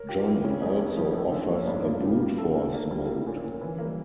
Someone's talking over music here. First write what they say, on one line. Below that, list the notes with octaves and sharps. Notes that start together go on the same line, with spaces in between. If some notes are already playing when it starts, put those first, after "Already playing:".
John also offers a brute force mode.
Already playing: A#4 C#5
F4 G4
E4 G4
C#3 C#4
F2
A#3
F3
A3
D3 C#4
F3 A#3
C#4
G2 D4
E4
A#3 F4
C#3 G4
G3 F4
E4 A4
A#3 D4
A#3 D4
G3 F4
A#3 E4
D4
A#2 C#4
F3
A#2
D3 E3
F3
A#3
G3